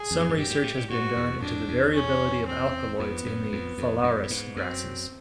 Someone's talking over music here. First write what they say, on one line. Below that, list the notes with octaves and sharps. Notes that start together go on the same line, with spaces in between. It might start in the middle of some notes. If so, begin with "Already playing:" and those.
Some research has been done into the variability of alkaloids in the "Phalaris" grasses.
Already playing: G#4
F2
G#2
G2
F#2 G4
G#2
A2
A#2
G#2 F#4
E2
F2 D4
E2
C#4
C4
F2 B3
F#2
F2
F2
F#2
G2
G#2
F#2 C4